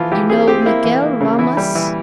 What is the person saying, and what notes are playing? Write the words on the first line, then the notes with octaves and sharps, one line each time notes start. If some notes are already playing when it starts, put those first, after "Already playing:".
You know Miguel Ramas?
Already playing: E3 F3 F4
E3 G4
C4 G#4
C4 G4
A#3 E4
E3
A#3
C#3
E3 E4
G3
E3